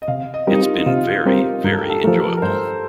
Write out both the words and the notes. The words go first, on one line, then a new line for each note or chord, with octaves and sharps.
It's been very, very enjoyable.
D#5
C3 F5
D#5
G3 C4 G4 A#4
D#4
F4
D#4
C3 F4
G3 C4 G4 A#4
G2 A#4
A4
G4
A4
F3 A3 A#4
A#4
G2 C5